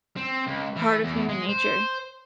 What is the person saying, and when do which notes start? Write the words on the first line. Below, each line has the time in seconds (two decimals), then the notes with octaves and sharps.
part of human nature,
0.16 C4
0.47 C#2
0.77 E3
1.04 E2
1.29 G#3
1.49 C5